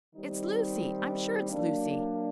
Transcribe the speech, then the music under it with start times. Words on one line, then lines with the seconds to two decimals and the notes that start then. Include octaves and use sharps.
It's Lucy--I'm sure it's Lucy!
0.15 D#3 G3 C4 D#4
1.50 F#3 A#3 D4